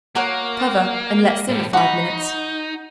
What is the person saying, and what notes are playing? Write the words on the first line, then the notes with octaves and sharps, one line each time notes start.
Cover and let simmer five minutes.
A#3 F#4 A#4 C#5
A2 G3
D#4 F#4 B5